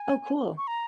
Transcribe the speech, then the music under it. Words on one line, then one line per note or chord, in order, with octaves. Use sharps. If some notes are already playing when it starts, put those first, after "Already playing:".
Oh, cool.
Already playing: G#5
C#6
A#5